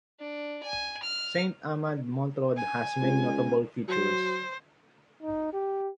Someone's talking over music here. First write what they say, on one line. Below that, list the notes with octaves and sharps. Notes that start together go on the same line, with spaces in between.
Saint-Amand-Montrond has many notable features.
D4
G#5
F6
G#5
C#2
F#3 C5
D#4
G4